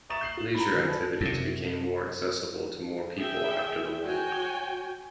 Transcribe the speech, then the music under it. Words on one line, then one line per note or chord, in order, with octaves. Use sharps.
Leisure activities became more accessible to more people after the war.
E5 A#5 C#6 D#6 A6 E7
G6 C7 F#7
F4
A#5 B5
F#2 E3 F#3
B4 D5 A5
F#2 C3
G#4 E5 G5
F#4 C#5 G5 G#5